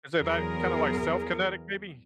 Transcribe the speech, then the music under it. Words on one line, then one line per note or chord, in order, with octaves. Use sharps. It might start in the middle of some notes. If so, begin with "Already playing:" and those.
Isn't that kinda, like, self-kinetic maybe?
E2 F#3 G#4 A#4